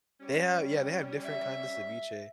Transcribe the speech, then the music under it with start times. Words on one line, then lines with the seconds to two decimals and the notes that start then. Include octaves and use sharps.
They have yeah, they have different kind of ceviche.
0.21 G3 C#4
1.24 E5